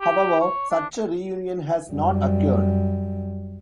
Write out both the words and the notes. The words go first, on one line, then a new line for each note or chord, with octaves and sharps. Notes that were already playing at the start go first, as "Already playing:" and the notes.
However such a reunion has not occurred.
G4
C#5
D4
F#2 G3